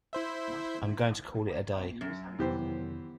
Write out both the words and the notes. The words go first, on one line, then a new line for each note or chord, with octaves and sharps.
I'm going to call it a day.
E4 C5 E5
F#2
F2 C3 D#3 E3 B3 G4 C5